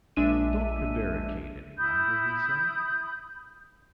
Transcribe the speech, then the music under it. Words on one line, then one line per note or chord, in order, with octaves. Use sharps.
"Don't prevaricate any longer," he said.
A#1 G#3 D4 E5 E6 D#7
E4 B5 D#6 G6